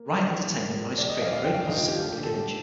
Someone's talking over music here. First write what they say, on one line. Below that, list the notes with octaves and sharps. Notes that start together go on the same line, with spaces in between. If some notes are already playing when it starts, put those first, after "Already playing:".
Riot Entertainment managed to create a very positive public image.
Already playing: A#3
A#1
A#1
A#3
F3
A#1 D5
D#5
A#1 F5
F5
D3 G5
F5
D#2 D#5
F4
F3 G4
F4
D3 G4
A4
A3